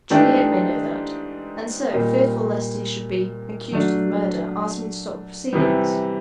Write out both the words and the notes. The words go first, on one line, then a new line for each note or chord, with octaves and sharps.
Juliet may know that, and so, fearful lest he should be accused of the murder, asked me to stop proceedings.
G#2 E3 A3 D4 G4
A#2 G3 A#3 D#4
F#3 A3 D4 F#4
C3 E3 G3